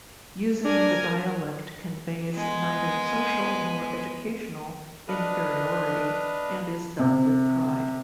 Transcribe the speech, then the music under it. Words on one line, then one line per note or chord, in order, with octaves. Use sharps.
Using the dialect conveys neither social nor educational inferiority and is done with pride.
D4 A#4 G#5
G#3 B3
D4 B4 D#5 F5
C3